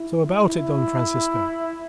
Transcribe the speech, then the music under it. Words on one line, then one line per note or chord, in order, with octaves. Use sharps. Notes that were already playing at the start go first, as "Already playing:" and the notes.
So about it, Don Francisco.
Already playing: E4
E4